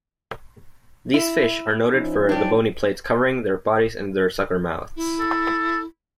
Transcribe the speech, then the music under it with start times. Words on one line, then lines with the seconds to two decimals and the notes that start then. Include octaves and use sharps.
These fish are noted for the bony plates covering their bodies and their suckermouths.
1.14 E4
1.92 F3 C#4 D#4
2.29 D4 G4
4.96 E4
5.19 A4